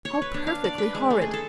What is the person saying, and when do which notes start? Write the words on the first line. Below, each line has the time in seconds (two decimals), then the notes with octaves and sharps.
How perfectly horrid!
0.05 C#5
0.22 B4
0.34 D4
0.47 F5
0.64 D5
0.78 B4
0.95 G#3
1.10 A3
1.22 G#4
1.33 A4